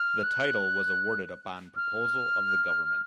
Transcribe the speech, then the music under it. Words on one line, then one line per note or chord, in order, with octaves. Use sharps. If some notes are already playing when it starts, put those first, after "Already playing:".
The title was awarded upon proposal of the government.
Already playing: F6
F#6
F6